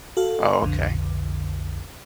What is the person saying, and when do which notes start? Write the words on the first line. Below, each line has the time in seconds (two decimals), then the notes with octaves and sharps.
Oh, okay.
0.17 F#4 A4 F5
0.62 B1 F2 D3